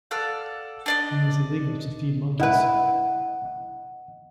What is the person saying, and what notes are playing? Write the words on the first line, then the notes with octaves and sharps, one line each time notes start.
It is illegal to feed monkeys.
A4 D5 F5 F#5
D4 D5 D#5
E4 B4 D#5 F#5